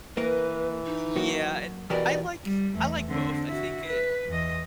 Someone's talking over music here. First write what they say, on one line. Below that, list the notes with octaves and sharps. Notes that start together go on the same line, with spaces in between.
Yeah, and I I like I like both. I think it
E3 A#3 A#4 B4
D#4
F#3 A#3 F#4
B2 E3 G4 A#4 D5
G3
E2 A3
D3 C4
E4 F#4
B4
E2 D#5